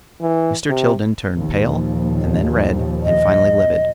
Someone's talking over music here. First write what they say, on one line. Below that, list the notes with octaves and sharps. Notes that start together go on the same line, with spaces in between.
Mr. Tilden turned pale, and then red, and finally livid.
E3
C3
D#2 A#2 F3
D#5